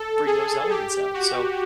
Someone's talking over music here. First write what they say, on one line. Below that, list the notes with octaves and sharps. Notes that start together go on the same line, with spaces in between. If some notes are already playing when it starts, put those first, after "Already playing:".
bring those elements out. So
Already playing: A4
G#4
G4
F#4